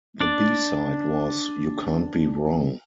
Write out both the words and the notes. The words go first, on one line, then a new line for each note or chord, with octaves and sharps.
The B-side was "You Can't Be Wrong".
D4 D5